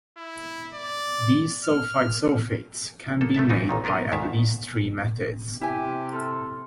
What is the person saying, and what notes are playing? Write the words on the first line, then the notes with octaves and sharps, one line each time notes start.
These sulfite sulfates can be made by at least three methods.
E4
D5
F6
A#3 D#4 A4
A3 B3 E5 A5
E3 D#4 F4
A1 A#2 D#3
A#3 B3 D4 A#4 D#5
D2 G#2 D#3 E5 F5
C3 E4 G4 G#5
A4 C6 F6